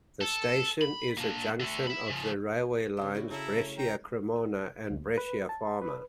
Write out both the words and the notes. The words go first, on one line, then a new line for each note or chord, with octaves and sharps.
The station is a junction of the railway lines Brescia-Cremona and Brescia-Parma.
A4
B5
A#3 D4
D3 A3
E5 B5
C#3 F3
C#3 G4 C5
D4 E4 F#4
C#3 E4 A4 A#5
A3
G5 A#5
D2
B4
A5
B4